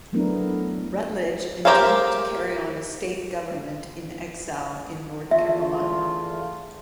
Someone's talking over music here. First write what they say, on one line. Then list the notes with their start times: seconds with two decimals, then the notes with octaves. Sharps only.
Rutledge intended to carry on a state government in exile in North Carolina.
0.13 F#3 A3 B3 D4 E4 A#4
1.65 G4 A#4 C5 E5 F5
5.31 E2 A3 F4 E5